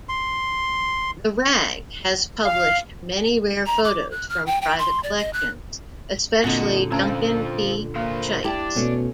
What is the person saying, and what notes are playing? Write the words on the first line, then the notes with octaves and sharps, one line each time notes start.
"The Rag" has published many rare photos from private collections, especially Duncan P. Schiedt's.
C6
F5
A#5
D6
F#6
F6
G5
G5
C6
D5
D#5
F#6
A#2 D3 C4 F#4 D#5
A3 C4 C#4 F4 A#5
A#3 A#4 C5
E4 G4 D5 A5
B2 A3 C#4